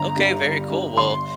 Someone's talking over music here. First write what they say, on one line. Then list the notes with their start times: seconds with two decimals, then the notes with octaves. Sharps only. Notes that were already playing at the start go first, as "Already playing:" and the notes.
Okay, very cool. Well,
Already playing: G1 A#5
0.16 G2 G3
0.44 G1
0.70 G2 G3
0.97 G1 C6